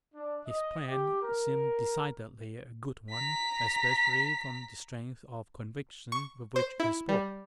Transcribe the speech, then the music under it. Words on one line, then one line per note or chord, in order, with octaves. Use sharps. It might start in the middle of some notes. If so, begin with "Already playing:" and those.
His plan seemed decidedly a good one, especially from the strength of conviction with which he spoke.
D4
D#5
G4
A#4
A#5 B6
C#6
C5
E4
G3